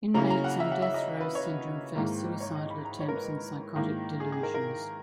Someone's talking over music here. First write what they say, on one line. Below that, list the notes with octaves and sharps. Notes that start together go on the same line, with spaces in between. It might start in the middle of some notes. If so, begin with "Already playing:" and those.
Inmates on death row syndrome face suicidal attempts and psychotic delusions.
C#3 F#3 A#3 C#4 E4 A#5
A#5
F#5
E5
F#5
E5
D#5
B4
C#5
G#2 D#3 A#3 E4
C#5
D#5
B5
A#5
C#5
A#4
B4
G#2 D#3 A#3 E4
G#4
G#4
A#4
A#4